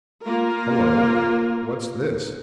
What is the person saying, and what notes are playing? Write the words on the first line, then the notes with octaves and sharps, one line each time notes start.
"Hullo, what's this?"
A#3 F4 A#4